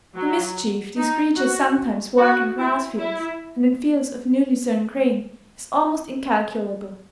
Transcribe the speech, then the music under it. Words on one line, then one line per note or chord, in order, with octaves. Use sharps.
The mischief these creatures sometimes work in grass fields, and in fields of newly-sown grain, is almost incalculable.
F#3
D#4
F#4
F#4
E4
E4